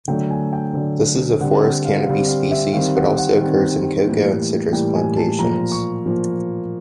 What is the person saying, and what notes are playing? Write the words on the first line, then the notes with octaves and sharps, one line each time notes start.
This is a forest canopy species, but also occurs in cocoa and citrus plantations.
D3 F#3 A3 G5
G#5
G5
D3 F#3 A3
D3 G3 C4 F#5
F#5
F5
F#5
D3 G3 C4 F5
F5
E5
D#3 G3 C4 F5
F#5
F#5
D#3 G3 C4
A2 E3 G3 A#3
A2 E3 G3 A#3 G5
G#5
A5
A#2 F3 A#3 A#5
C#6
A#2 F3 A#3